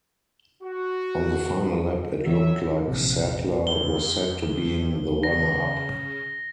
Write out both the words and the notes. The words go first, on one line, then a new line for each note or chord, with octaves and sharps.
On the final lap it looked like Sadler was set to being the runner-up.
F#4
E3 F#3 C#5 E5
A#1 C3
F2 G7
C#3 A#6